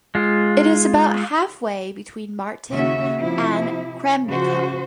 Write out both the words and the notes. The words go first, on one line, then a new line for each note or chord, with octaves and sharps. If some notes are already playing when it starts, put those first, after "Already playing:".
It is about halfway between Martin and Kremnica.
G#3 F4
D#2 C#3 C#4 F#4 E5
C3 F3 E4
C#3 F3 F#4 C5